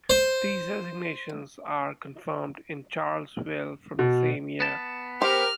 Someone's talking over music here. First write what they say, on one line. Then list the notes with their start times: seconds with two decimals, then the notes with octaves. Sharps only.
These resignations are confirmed in Charles's will from the same year.
0.10 C5
3.99 B2
4.60 B3 A5
5.22 G4 A#4 C5 F6